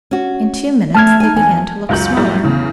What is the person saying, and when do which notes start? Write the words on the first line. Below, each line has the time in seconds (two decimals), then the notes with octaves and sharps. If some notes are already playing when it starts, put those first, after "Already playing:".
In two minutes they began to look smaller.
0.11 C#4 F#4
0.95 A3 E5 A5 F6 G#6
1.20 D#4 G#5
1.36 E2 G#5
1.89 C#2 F#2 F#3 G6 F#7
2.17 A2 F#3 G3
2.43 E2 C#3